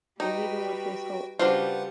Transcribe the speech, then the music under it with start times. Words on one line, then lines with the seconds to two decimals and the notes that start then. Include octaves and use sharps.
and even with this whole
0.20 G3 D#4 F#4 B4 G5
1.39 C#3 G3 D4 F4 F#4 B4 C5 F#5